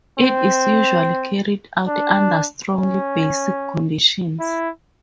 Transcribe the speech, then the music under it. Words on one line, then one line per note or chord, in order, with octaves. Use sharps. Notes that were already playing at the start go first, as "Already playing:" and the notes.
It is usually carried out under strongly basic conditions.
C4
D4
C#4
E4